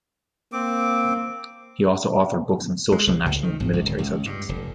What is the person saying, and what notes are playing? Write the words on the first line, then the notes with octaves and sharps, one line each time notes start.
He also authored books on social-national and military subjects.
A#3 C4 D6
G#3
C2
C#2
D#3
G#1
C#2
D1
C#2
G2
F1